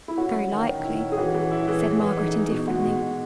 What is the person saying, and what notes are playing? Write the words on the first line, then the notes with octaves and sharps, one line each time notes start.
'Very likely,' said Margaret, indifferently.
E4
C#4 F#4
F#3
D#3
D#3
E4
C#4
G#4
E3 F#4
E3
E4
E3 G#4
E3
E3
D#4 G#4
D#4
B2
G#3 F#4
B2
B2